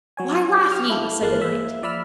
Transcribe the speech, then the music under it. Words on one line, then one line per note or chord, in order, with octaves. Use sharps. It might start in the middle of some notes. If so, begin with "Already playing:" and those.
Why laugh ye? said the knight.
F#3 C#5 G#5
G4 F6
E4 F4 A4
G#1 G#3 A#3 F5 A5 F#6
A#3 E5
F3 D5 E5 B5 E6 F6